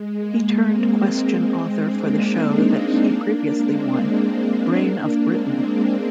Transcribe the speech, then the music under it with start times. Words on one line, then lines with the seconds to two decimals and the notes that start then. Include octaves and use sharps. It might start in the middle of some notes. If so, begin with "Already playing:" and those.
He turned question author for the show that he previously won, "Brain of Britain".
Already playing: G#3
0.17 A#3
0.59 G#3 C4
1.43 G#3 C4
1.84 A#3 D4
2.26 C4 D#4
2.68 A#3 D4
3.10 A#3 D4
3.52 G#3 C4
4.78 A#3 D4
5.20 G#3 C4
5.61 A#3